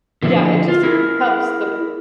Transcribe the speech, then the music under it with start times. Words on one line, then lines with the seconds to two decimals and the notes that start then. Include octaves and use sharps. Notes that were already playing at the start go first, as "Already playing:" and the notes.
Yeah, it just helps the
0.23 D3 F3 D4 E4
0.68 F4
0.83 E4 G#4 A#4